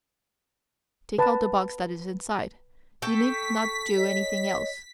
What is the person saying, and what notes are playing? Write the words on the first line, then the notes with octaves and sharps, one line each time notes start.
Take out the box that is inside. You need not do anything else.
B4 A5
A4 G5 C#6 B6
C#5 D#5